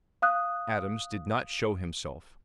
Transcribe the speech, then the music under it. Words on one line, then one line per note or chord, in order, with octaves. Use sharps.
Adams did not show himself.
F5 D#6 F#6